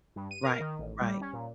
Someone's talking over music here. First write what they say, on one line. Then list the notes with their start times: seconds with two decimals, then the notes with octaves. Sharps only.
Right, right.
0.16 G2
0.31 D#7
0.43 A#4
0.60 D#3
0.79 A1
1.01 G3
1.21 C#4
1.33 A#2